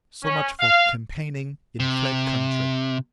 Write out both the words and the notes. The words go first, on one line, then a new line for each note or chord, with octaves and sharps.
So much for campaigning in flat country.
C#4
F5
C3